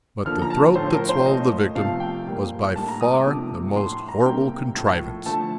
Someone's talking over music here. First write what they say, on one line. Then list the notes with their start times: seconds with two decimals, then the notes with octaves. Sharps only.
But the throat that swallowed the victim was by far the most horrible contrivance.
0.25 D3 F3 A#3 F6
0.42 A#5
0.50 A5
0.75 A2 F3 A3 C5
0.92 A#4
1.09 C5
1.25 A#2 A3 D#5
1.75 C3 F3 A3 F5
2.00 G5
2.25 A#2 G3 A#3
2.75 A2 G3 A#3 A5
2.88 A#5
3.01 D#6
3.13 D6
3.25 C3 F3 A3
3.75 A2 A3 C6
3.93 C6
4.09 A#5
4.25 C3 G3 A#3 G5
4.76 A2 F3 A3
5.26 D3 F3 A3 A5